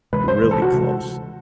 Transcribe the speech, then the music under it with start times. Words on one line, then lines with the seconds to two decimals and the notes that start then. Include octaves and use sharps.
really close.
0.13 D2 C3 E3 G#3 B4
0.28 C5
0.41 D2 C3 E3 G#3
0.51 A4
0.62 F#4
0.72 C3 E3 G#3